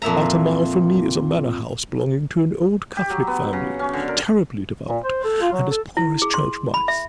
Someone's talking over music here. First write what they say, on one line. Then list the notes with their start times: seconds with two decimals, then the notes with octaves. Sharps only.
About a mile from me is a manor-house belonging to an old Catholic family, terribly devout and as poor as church-mice.
0.02 F2 A#2 E5 A#5
2.97 G4
3.10 F#3
3.27 B3
3.53 C#3
3.79 C#4
3.93 D3
4.08 A#4
4.88 A#2
5.04 C5
5.24 A4
5.41 F4
5.53 F#3
5.71 A4
5.97 E4
6.22 G#4
6.34 C6
6.74 B5
6.88 E5